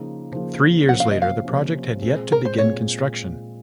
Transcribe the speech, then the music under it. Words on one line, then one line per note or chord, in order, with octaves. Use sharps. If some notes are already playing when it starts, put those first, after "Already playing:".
Three years later, the project had yet to begin construction.
Already playing: C#3 F3 A#3 D#4
C#3 F3 A#3 D#4
C3 F3 A#3 C#4 F#5
F5
D#5
F5
C3 F3 A#3 C#4
A#2 G#3 C4
A#4
C5
A#2 G#3 C4 C#5